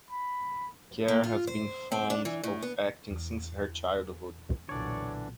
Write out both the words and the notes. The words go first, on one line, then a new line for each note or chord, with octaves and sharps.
Khare has been fond of acting since her childhood.
B5
A#3
F4
C5
C4
D4
E3
A2
B3
E2
B1 A#2 D3 E3 D4 C#5 D5